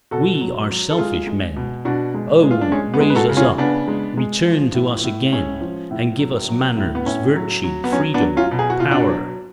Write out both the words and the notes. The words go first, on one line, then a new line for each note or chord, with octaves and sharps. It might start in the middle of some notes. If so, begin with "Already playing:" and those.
We are selfish men O! raise us up, return to us again; And give us manners, virtue, freedom, power.
B2 F#4 A4
F#3
F#3
A4
G#3 F4 G#4
G#3
B2
B2 D4 F#4
G#3
G#3
F4
D4
G#3 C#4
B3
G#3
B4
F#4 A4
C#3
C#4 F4
C#3 B3 D4
G#3
G#3
F3
A2
A2
G#3 C#4
F3
A2
F#3
F#3
A2
B3
A2 C#4
F#3
F#3
B3
F#3 C#4
B3 D4
F#3
C#4 F4
B2
G#4
F#4
B2 F4
D4 F#4
F#3